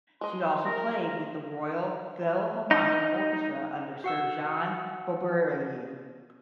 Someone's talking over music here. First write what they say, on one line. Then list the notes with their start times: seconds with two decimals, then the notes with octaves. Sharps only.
She also played with the Royal Philharmonic Orchestra under Sir John Barbirolli.
0.21 G#3 D#5 C6
0.66 A#4 A#5
2.71 D#4
4.04 F#4 F#5 E6